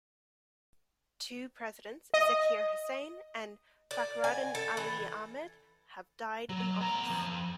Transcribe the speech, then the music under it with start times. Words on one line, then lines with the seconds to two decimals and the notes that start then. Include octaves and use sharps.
Two presidents, Zakir Husain and Fakhruddin Ali Ahmed, have died in office.
2.14 D#5
3.91 D5
4.24 G#5
4.55 A4
4.77 E3
6.49 F#3
6.80 B3 A#5
7.10 F2